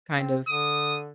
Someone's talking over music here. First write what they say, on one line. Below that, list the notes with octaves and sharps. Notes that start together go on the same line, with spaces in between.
kind of
C4
D3 D#6